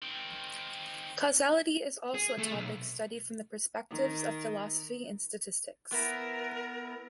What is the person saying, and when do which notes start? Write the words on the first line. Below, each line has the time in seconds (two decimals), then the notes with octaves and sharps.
Causality is also a topic studied from the perspectives of philosophy and statistics.
0.02 D#3 C4
2.15 G#4
2.39 A3
2.54 B1
3.90 D#3
5.92 B3 E4 A#4